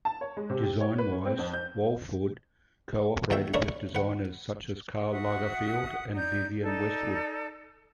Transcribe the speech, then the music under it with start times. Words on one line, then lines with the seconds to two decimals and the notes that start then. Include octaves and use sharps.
Design-wise, Wolford co-operated with designers such as Karl Lagerfeld and Vivienne Westwood.
0.05 A5
0.21 C#5
0.37 G#3
0.50 C3
0.63 G4
0.81 C#5
0.98 B4
1.12 C#4
1.25 C4
1.38 F2
1.53 G6
3.31 A#1 A3 E5 G5
3.54 A3 D4 A#4 B4 C#5
3.95 B4 F#5
5.12 F#4 E5 F#5 D#6
6.14 D#4 D5 G6
6.63 D#4 A4 D5